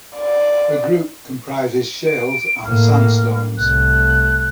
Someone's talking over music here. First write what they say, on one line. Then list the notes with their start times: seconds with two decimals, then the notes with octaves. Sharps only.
The group comprises shales and sandstones.
0.16 D5
2.07 D7
2.65 A2 A#3 F6
3.58 C2 A3 F#6